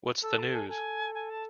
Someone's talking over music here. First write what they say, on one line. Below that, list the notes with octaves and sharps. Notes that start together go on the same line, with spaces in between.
What's the news?
A4 E6
A5
G#5
A4 G#5
G#5
A5